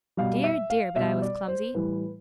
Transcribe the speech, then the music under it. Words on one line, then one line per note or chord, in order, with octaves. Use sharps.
Dear, dear, but I was clumsy!
B2 G3 F5
E5
F5
B2 G3 E5
D5
C5
A2 E3 G3 B4